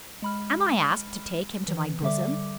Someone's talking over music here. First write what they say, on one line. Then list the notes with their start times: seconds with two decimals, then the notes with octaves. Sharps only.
Am I asked to take him to my bosom?
0.22 G#3 B5 F6
1.68 E3
2.02 D3 G3 E5 D6